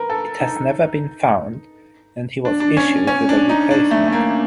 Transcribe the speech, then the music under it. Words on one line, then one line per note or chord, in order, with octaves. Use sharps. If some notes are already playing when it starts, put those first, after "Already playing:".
It has never been found, and he was issued with a replacement.
Already playing: A#4 B4
A4
D#4
D4
D4
C#4
C#4
D4
D#4
D4
A3
A3
A#3